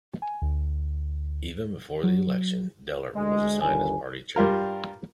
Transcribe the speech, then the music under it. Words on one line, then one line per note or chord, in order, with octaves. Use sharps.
Even before the election Dehler was assigned as party chairman.
G#5
D2
F#3
D2 G#3
G1 D#2 G#5
G2 G3 F4 A#4